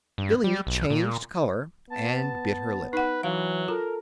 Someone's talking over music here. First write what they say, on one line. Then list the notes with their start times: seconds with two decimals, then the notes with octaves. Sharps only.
Billy changed color and bit her lip.
0.18 G2
0.44 G3
0.67 B1
0.90 A#2
1.90 B3 A5
2.93 D#4 B4 F#5
3.23 E3 F#3 F5
3.68 F4 A4 A#4